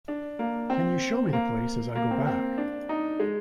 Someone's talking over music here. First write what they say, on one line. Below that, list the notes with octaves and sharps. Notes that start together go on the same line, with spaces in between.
Can you show me the place as I go back?
D4
A#3
C4
A#3
A#3
C4
C4
D4
D#4
G#3